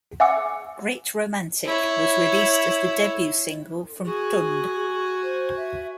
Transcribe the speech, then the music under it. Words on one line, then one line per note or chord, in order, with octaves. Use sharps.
"Great Romantic" was released as the debut single from "Tunde".
E5 F#5 G#5 D6 E6 C#7
E4 C#5
F#4 G#4 G#5
C5
E5